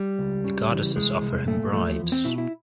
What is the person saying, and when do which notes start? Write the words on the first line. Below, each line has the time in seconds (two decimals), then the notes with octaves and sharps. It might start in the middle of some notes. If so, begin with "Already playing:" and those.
The goddesses offer him bribes.
Already playing: G3
0.19 C#2
0.44 C#3
0.71 E3
0.96 C2 G#3
1.22 C2
1.47 A#2 A3
1.73 F3 A3
1.99 E2
2.12 C4
2.24 B2 E4
2.38 E4